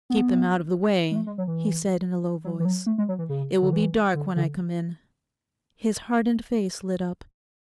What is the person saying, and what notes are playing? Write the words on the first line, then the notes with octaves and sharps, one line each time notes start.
'Keep them out of the way,' he said in a low voice; 'it will be dark when I come in.' His hardened face lit up.
B3
G#3
A3
G#3
F#3
E3
F#3
E3
F#3
A3
G#3
F#3
E3
C#3
D3
E3
D3
D3